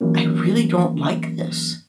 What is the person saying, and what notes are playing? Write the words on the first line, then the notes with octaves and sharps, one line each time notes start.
"I really don't like this,
E3 F#3 A#3 C#4